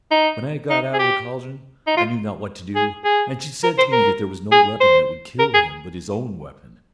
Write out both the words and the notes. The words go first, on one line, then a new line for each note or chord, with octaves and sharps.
When I got out of the caldron I knew not what to do; and she said to me that there was no weapon that would kill him but his own weapon.
D#4
D#4
G#4
G4
D#4
F4
G#4
G#4
A#4
C5
A#4
G#4
C5
A#4
G#4